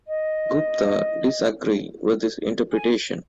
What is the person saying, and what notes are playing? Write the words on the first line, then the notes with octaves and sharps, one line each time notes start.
Gupta disagree with this interpretation.
D#5
G#5